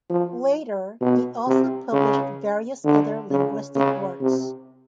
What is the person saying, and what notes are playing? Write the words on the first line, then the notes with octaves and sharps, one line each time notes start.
Later, he also published various other linguistic works.
F3
B2
C3
C#3
D3
C#3
C#3
C3